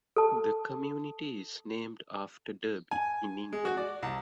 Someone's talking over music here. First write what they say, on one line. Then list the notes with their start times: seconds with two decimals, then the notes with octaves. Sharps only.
The community is named after Derby, in England.
0.16 A4 A5
2.91 G#5
3.53 G#3
3.65 F#4
3.77 D5
4.03 C2